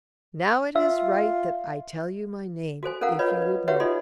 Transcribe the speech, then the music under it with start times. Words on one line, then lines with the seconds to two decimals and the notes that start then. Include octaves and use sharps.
Now it is right that I tell you my name, if you would know it.
0.76 F4 E5
2.83 F#4 A4 C5 G#5
3.01 C#4 A4 A#4 F5 F#5 A#5
3.19 F4 B4 C#5 D#5
3.42 B4
3.68 F#4 G4 B4 C#5 E5 F#5
3.80 D#4 F4 A4 D#5 B5 C6